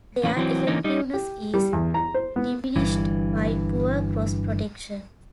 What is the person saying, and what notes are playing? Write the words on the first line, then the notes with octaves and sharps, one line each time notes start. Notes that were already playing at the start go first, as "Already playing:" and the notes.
Their effectiveness is diminished by poor cross-protection.
E2 A2 A#3 C#4 B4
E3 F#3 C4
D3 E3 A#3 C#4 D#4
G3 D#4
G4
G3
E2
A#5
C5
B3
G1 G2 E3